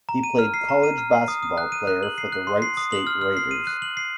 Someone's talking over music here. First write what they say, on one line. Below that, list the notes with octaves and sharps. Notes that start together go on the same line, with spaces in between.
He played college basketball player for the Wright State Raiders.
A#5
D#7
F6
C7
A#5
D#7
F6
C7
D#6
D#6
F#6
D#7
F#6
F#7
C7
F#6
C6
C7
D#6
F#7
F6
F6
C7
D#7
F#6
F#7
C7